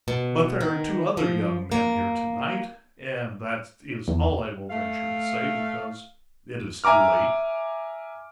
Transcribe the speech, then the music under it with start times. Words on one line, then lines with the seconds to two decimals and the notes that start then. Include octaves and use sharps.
But there are two other young men here to-night, and that is all I will venture to say, because it is too late.
0.08 B2
0.61 D#3
1.17 F3
1.72 A#3
4.08 E2
4.69 A3 F5
6.84 E5 G#5 A#5 D6 F6